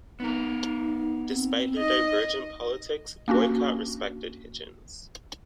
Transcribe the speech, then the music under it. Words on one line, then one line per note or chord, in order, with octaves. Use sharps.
Despite their divergent politics, Boycott respected Hitchens.
B3 D#4 A#4
C4
D#4 D#5
A#3 C#4 D4 F#4